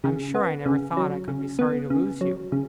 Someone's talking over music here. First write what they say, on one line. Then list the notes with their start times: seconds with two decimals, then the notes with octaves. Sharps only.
I am sure I never thought I could be sorry to lose you!'
0.04 C#3
0.35 B3
0.66 C#3
0.97 F#3
1.28 C#3
1.59 B3
1.90 C#3
2.21 F#3
2.52 C#3